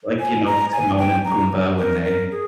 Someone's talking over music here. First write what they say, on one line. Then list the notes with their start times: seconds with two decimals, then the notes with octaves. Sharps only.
like, you know, Timon and Pumbaa when they
0.20 G#5
0.46 A#5
0.73 G#5
0.98 G5
1.25 A#5
1.79 A#4
2.05 A#4
2.31 G#4